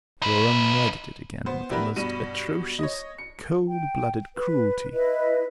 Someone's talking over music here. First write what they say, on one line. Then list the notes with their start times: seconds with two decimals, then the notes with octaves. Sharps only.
Flora murdered it again, with the most atrocious, cold-blooded cruelty.
0.22 D#4 B4
1.46 B3 C5
1.70 B3 D4 E4 G4 A#4 B4
1.96 G2 B2 B5 D#7
2.79 C#5 D#5
3.18 C#7
3.68 G5
4.35 B4
4.93 E4 B4 D#5